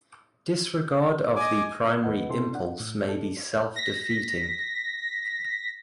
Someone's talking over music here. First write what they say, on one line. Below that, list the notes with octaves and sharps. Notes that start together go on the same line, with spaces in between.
Disregard of the primary impulse may be self-defeating.
D#5 G#5 D6
D#2 A3 B4 D#5 F#5
C3 C4 E4 A4 C6
D4 F#5
A2
D#4 A4
A#6 B6